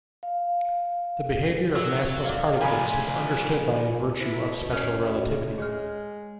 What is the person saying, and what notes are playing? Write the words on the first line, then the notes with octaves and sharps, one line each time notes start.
The behavior of massless particles is understood by virtue of special relativity.
F5
F#3 E6
D5 F5
C3 F3 G#5 A#5 B5
E4 B4 C5
B2
C#4 A#4 C#5 D#5
D2 F#4 D5 D#5
G#3 G#4 C#5 F6